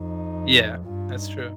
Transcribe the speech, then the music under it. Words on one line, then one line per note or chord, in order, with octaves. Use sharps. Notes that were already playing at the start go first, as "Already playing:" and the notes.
Yeah, that's true.
Already playing: F2 D#4
G2 F4
D#4